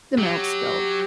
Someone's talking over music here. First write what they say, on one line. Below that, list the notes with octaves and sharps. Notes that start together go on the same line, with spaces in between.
the milk spilled.
F#3 G4